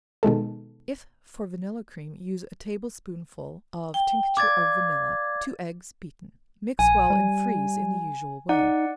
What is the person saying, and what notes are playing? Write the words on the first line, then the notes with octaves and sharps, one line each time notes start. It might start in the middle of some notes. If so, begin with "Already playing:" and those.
If for vanilla cream; use a table-spoonful of tincture of vanilla, two eggs beaten; mix well and freeze in the usual way.
B2 D#3 G#3 A4
G5
D5 F5 D6 G#6 A6
A#1 G#5
G3
D#4 D5 F#5